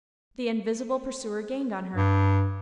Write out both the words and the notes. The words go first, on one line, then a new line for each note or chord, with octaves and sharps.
The invisible pursuer gained on her.
G2